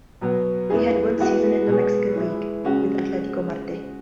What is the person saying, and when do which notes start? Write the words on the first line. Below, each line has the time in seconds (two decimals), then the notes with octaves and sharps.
He had one season in the Mexican league, with Atletico Marte.
0.21 B2 F#3 B3
0.70 E2 E3 B3 G#4
1.18 E3 G#3 B3 F#4
1.67 B2 G#3 B3 G#4
2.16 E3 G#3 E4
2.64 C#3 G#3 C#4 F#4